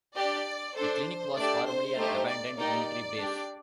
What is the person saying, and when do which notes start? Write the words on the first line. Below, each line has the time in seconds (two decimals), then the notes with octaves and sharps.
The clinic was formerly an abandoned military base.
0.15 D4 G4 D5
0.76 D4 A4 C5
1.36 A3 D4 G4 D5
1.66 C5
1.96 A3 D#4 G4
2.27 D5
2.56 A#3 D#4 G4 D5
3.17 D4 G4